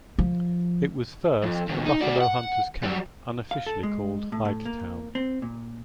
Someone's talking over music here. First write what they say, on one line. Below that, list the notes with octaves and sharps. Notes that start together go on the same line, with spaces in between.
It was first a buffalo hunter's camp unofficially called Hidetown.
F3
F2
D#2 B2
D#4
F#4 D5
F#5
F#3 G3
F5
A4
G#3
A2
A2
A#3
C4
A#2